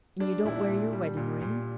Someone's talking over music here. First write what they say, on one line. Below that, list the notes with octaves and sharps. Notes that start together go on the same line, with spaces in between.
"And you don't wear your wedding-ring?"
G3 D4
A#2 E4
D4
A#2
G3
A#2
A#2